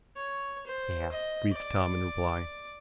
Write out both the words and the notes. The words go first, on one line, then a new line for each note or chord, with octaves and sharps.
"Yeah," breathed Tom in reply.
C#5
C5
D#5
D5